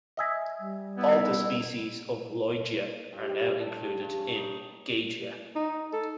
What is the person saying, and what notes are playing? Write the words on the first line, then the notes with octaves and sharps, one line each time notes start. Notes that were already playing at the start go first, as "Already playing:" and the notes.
All the species of "Lloydia" are now included in "Gagea".
D#5 E5 G#5
G3
B3 E4
G2
G3
A4
G2
G5
G2
C#4
D#4
D#4
A4